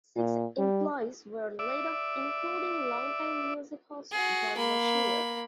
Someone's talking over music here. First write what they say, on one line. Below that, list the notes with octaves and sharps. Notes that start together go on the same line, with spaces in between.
Six employees were laid off including long-time music host Jon Moshier.
A#2
G3
D5 E5
F#4 G#4
A#3 B5